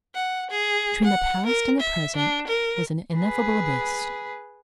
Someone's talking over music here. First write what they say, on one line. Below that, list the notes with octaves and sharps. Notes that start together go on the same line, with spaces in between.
Between the past and the present was an ineffable abyss.
F#5
G#4
F#5
A#4
E5
D4
A#4
G#4 B4